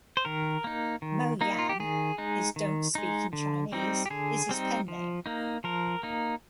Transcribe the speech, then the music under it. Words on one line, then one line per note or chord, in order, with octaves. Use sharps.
"Mo Yan" - is "don't speak" in Chinese - is his pen name.
C5
D#3 A#4
A#3 D#4
D#3
A#3 D#4
F4
G4
D#3 G#4
G#3 D#4
D#3
G#3 D#4
D3
G3 C4 D#4
G4
D3 G#4
G3 C4 D#4
F3
A#3 D#4
F3 A#4
A#3 D#4